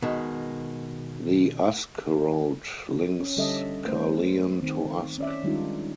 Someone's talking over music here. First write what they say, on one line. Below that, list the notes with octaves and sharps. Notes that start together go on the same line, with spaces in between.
The Usk Road links Caerleon to Usk.
B2 D#3 G#3
C#4
D3 G3 C#4 A4 D#5 E5
A3 B4 C5
D#3 C4
C#4 D5 E5
D#3 G3 G#3 D4 D#4 F4